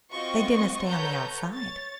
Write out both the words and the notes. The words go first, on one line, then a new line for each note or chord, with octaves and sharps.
They dinna stay on the outside.
C4 F4 F#4 D#5 C#6
A4 B4 C#5 F#5 A#5 G6
C#5 A6